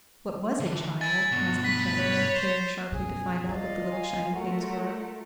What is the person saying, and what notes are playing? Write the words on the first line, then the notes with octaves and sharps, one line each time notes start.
"What was it, child?" asked the gentleman, peering sharply to find out what the little shiny things were.
D3 E3
E4 G#5 A6
G2 B2 F#4
B4 B6
C#5
C5
F#2 B2 G#4
G3 F4 D5 D#5 F5
G#5
A3 F4 F#4 A#4 F#5